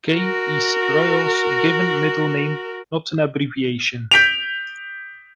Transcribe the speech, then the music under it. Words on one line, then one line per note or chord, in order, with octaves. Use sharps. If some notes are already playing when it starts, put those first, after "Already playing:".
"K" is Royal's given middle name, not an abbreviation.
F#4 A#4
G6 B6 D7 F7